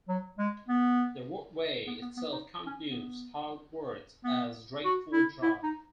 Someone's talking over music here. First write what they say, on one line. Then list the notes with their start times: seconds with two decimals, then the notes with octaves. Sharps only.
The roadway itself continues southwards as Drakeford Drive.
0.08 F#3
0.38 G#3
0.68 B3
1.87 B3
2.01 B3
2.17 B3
2.32 D#4
2.66 C#4
2.85 B3
4.24 B3
4.84 F#4
5.13 E4
5.42 E4
5.63 D#4